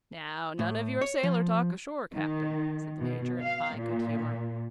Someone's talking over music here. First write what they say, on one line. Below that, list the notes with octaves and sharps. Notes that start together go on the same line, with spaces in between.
"Now none of your sailor-talk ashore, Captain," said the Major, in high good humour.
A2
C#5
F3
D#3
B2
F5
A#2